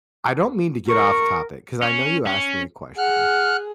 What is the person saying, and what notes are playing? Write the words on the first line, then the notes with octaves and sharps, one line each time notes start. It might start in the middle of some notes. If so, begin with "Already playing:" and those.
I don't mean to get off topic 'cause I know you asked me a question
A#4 C#6
C#4
C#4
G#4 F#5 F6 F#6